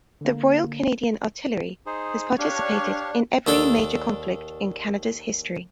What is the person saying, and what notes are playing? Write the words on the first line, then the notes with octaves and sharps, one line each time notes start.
The Royal Canadian Artillery has participated in every major conflict in Canada's history.
D3 A#3
D#4 G#4 C5
D4 G4 C#5 F5
D#2 D4 A4